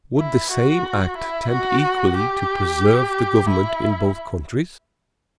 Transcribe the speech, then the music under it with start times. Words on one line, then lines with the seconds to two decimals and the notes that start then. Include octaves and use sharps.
Would the same act tend equally to preserve the government in both countries?
0.18 E4
0.51 F#4
1.18 E4
1.50 F#4
2.17 G4
3.49 E4